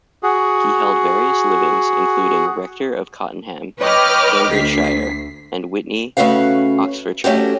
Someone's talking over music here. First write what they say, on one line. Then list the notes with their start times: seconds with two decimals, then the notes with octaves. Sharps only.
He held various livings, including rector of Cottenham, Cambridgeshire, and Witney, Oxfordshire.
0.23 F#4 G#4
3.80 B4 C#5 D#5 G5 D6 F6
4.52 D2 B6 C7
6.17 C#3 A3 C#4 F#4 B4 F5
7.24 A3 C#4 F#4 G4